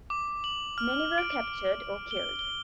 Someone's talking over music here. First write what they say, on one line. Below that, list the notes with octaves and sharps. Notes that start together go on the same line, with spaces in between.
Many were captured or killed.
D6
F#7
F6
D7
G7
G7